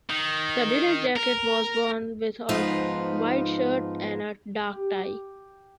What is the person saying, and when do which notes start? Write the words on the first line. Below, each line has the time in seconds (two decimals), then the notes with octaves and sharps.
The dinner jacket was worn with a white shirt and a dark tie.
0.10 D#3
1.16 A#4
2.49 G#2 F3 B3 D#4 F4
4.72 G4